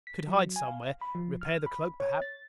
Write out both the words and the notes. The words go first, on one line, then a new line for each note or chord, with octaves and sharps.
I could hide somewhere, repair the cloak perhaps.
B6
F#3
G#5
F5
B5
F3
F6
B5
C#5
A6